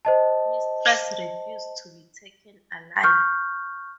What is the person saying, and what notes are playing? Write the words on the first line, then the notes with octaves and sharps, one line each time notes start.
Mistress refused to be taken alive.
C5 D#5 A5
C#6 F6 G6